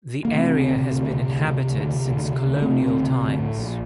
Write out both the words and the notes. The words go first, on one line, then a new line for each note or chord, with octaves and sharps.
The area has been inhabited since colonial times.
A#3
C3 A3 C4
D2
C3
D2
C3
D2
C3
D2
C3
D2
C3
D2
C3 A3 C4
D2
C3
D2
A2
A#1